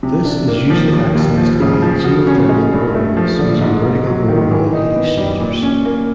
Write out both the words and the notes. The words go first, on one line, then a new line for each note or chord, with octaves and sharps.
This is usually accessed via geothermal boreholes using vertical borehole heat exchangers.
C3
D4
A#3
F3
D#2
D#2
F3
C#3
F3
F#4
C#4
G#3
G2
A3
F3
D3
G#2
G#2
F#3
D#3
E3
D#4
B3
G3
A#2
C#4
A#3